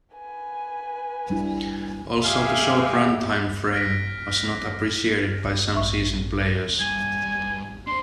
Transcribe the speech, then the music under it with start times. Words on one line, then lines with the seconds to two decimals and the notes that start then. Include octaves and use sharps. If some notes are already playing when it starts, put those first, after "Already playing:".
Also the short run time frame was not appreciated by some seasoned players.
0.15 B4 G#5
1.30 G3 D4 E4
2.23 G#3 G4 G#4 E5 F5
3.73 F6 F#6 G#6 A#6 B6 D7
5.76 A1 E5 C#6
6.80 G2 G#5
7.87 D4 C5 C6